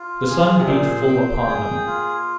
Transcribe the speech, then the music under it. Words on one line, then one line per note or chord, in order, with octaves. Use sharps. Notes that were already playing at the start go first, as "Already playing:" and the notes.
The sun beat full upon them.
Already playing: F4
G#4
C3
A#2 C5
G5
G#4
F4